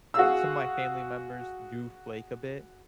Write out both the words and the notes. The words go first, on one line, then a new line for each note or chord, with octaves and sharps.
m some of my family members do flake a bit,
F#4 G#4 F5 E6